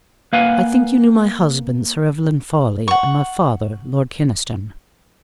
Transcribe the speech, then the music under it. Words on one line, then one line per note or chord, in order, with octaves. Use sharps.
'I think you knew my husband, Sir Evelyn Fawley, and my father, Lord Kynaston.'
A#3 B4 F5 F#5 G#5
F#5 C#6